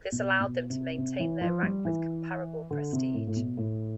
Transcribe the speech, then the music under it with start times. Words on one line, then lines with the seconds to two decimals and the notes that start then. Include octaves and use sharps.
This allowed them to maintain their rank with comparable prestige.
0.12 B2
0.40 B2
0.70 C3
0.98 C3
1.20 E3
1.41 F3
1.63 G3
1.85 E3
2.71 D3
2.93 C3
3.14 A2
3.27 A2
3.36 B2
3.57 A2